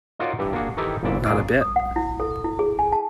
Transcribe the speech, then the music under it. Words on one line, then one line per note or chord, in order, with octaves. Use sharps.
Not a bit.
D#4 F4 F#4 A#4 C#5 D5
G2 E3 G4
A#3 D4 F#4 G#4
D#3 E3 D#4 E4 G4 A4
G1 C2 A#2 E3 D5 E5
A#2 C#3 G#4 D5
D#6
F#5
E4
A4
E4
G#4
G#5
A5